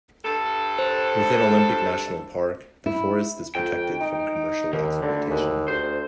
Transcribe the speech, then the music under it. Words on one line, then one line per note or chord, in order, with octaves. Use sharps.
Within Olympic National Park, the forest is protected from commercial exploitation.
G2 A4
C5
E4
F2 G5
D#4
D#2 D#3
D2 D3
D#2
D2 C5